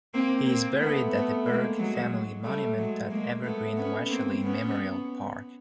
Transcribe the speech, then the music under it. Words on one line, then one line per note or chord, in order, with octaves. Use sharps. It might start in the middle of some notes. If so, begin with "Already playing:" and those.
He is buried at the Burke family monument at Evergreen Washelli Memorial Park.
A#3 C4
A#3 C4
A3 B3
A3 B3
G#3 A#3
F#3 G#3
G3 A3
F#3 G#3
G#3 A#3
A3 B3
B3 C#4
A#3 C4
B3 C#4